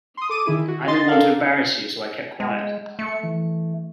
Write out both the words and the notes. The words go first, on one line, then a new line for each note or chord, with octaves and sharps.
I didn't want to embarrass you so I kept quiet.
C6 D#6
A4 D6 D#7
D#3 E4 G#4
F#4
D#5 C6 A6
D4 A4 A#4 F5
G#3
A3 C#7
E3